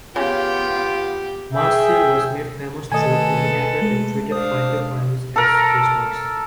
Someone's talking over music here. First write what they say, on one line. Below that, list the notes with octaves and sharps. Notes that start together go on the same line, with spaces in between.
Marseille was made famous through propaganda that treated fighter pilots as superstars.
C#3 B3 F4 G4 F5
G#4 E5 G5
B2 D#3 A3 A4 B4 D#5 G#5
G#3 A3
D4 C5 F5 D#6
A4 A#4